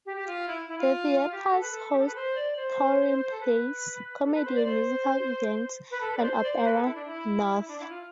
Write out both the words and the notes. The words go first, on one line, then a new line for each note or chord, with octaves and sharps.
The theatres host touring plays, comedy and musical events and Opera North.
G4
G4
F4
E4
E4
F4
F4
G4
A4
B4
A4
G4
A4
B4
C5
D5
C5
A4
B4
A4
B4
C5
D5
C5
B4
A4
B4
D5
C5
C5
D5
C5
B4
A4
E4
D4
E4
E4
D4
E4
F4